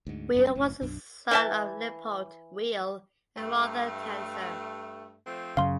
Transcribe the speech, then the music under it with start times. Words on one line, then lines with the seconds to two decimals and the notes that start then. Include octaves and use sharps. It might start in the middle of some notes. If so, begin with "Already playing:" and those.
Weil was the son of Leopold Weil and Martha Tanzer.
0.07 D2 G#2
0.34 F1 F#2 G3 C#4
0.55 F#1 A2
0.81 B1 F#2 D4
1.31 E3 E5 A5
3.37 G2 A3
5.27 F3 A3 C4
5.57 F#2 C#3 F5 C6